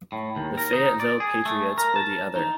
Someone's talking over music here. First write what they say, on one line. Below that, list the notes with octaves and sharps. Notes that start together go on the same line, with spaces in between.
The Fayetteville Patriots were the other.
A2
D#2
A#4
D#4
D5
G#4
A3
A#4
A5
D#4